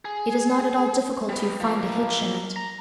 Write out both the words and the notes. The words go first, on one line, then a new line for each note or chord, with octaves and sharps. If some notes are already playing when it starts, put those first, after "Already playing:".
It is not at all difficult to "find a hitch" in it.
G#4
G3 B3
F3 A#3
A#5